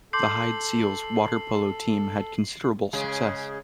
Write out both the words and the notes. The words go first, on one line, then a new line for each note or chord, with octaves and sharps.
The Hyde Seals water polo team had considerable success.
A4 C6 D6 G6 C7 F#7
C#3 G#3 G#4